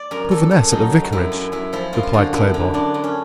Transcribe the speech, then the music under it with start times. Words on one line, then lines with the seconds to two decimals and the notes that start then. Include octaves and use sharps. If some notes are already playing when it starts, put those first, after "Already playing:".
"Governess at the vicarage," replied Claybourne.
Already playing: D5
0.11 F#2 A#4
0.31 F#2 A4
0.51 F#2 A4
0.71 F#3 D#4
0.92 F#3
1.12 F#2 E4
1.32 F#2
1.52 F#2 E4
1.73 F3 E4
1.93 F#2 F4
2.03 F4
2.13 D3 F#4
2.33 F#2 E4
2.54 D3
2.74 F#2 D4
2.94 F#2
3.04 C#4